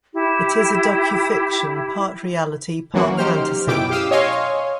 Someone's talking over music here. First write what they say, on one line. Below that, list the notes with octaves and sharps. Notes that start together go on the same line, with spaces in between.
It is a docufiction: part reality, part fantasy.
E4 G4
E3 F#3 A#3 C#4 F#4
D#4 G4 C5 F6
F#2 B2 E4 G5 D6 D7
G4 F5 D#6 E6
C#5 D#5 F5 G#5 C6